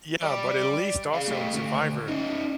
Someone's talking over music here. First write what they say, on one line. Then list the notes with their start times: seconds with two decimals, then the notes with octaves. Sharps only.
Yeah, but at least also in survivor,
0.22 G4 D5
1.14 G#4 F5
1.28 A3 G4
1.54 D3 A3
2.08 C#4 D#4